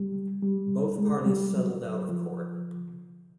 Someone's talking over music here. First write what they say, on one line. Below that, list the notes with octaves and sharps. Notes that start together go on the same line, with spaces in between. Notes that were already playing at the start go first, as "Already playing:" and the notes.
Both parties settled out of court.
Already playing: G3
G3
G#3
G3
F#3
F3